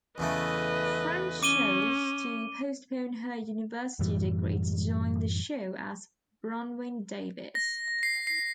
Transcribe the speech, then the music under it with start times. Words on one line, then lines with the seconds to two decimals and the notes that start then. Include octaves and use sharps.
Friend chose to postpone her university degree to join the show as Bronwyn Davies.
0.18 E2 C#3 A3 B4 D#5
1.43 C#4 D6 D#7 G7
3.99 F#2 A2 E3 G3
7.55 A#6
8.03 C7
8.27 C7